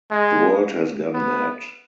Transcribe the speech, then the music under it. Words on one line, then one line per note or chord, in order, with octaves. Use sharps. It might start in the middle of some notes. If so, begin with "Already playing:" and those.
The world has gone mad.
G#3
B3